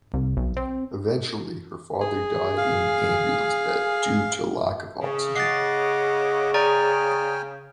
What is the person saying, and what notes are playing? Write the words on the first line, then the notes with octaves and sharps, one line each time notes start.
Eventually her father died in the ambulance bed due to lack of oxygen.
C2
B1
C4
G#4
F5
C#3
D#5 F#5 D6 A6 C7
G#4 D5 G5 G#5 A#5 F6